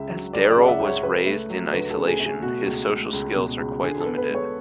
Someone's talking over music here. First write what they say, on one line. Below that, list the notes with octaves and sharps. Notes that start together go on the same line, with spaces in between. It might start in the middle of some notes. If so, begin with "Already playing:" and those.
As Daryl was raised in isolation, his social skills are quite limited.
Already playing: C#2 C#3 E5
F#3
C#2 D5
D5
C#3 F#5
E5
C#2
C#5
C#3 B4
A3
F#3
D2 B4
A4
C#3
G#4
A3
G#4
B2 F#4
C#2
G#3
C#2
B2
C#2
D3 G#4
A4
B3
B4
G#3 C#5